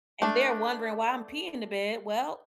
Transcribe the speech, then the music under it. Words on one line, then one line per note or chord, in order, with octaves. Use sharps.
and they're wondering why I'm peeing in the bed. Well,
A3 D4